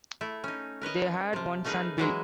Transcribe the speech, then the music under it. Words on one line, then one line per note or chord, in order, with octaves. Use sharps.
They had one son, Bill.
A3 E4
C#4 D#4
A#4 B4 C#5 D#5
C3 F3
A3 C#4 D#4 G#4 A#4 B4
E3 F#3 G#3 E4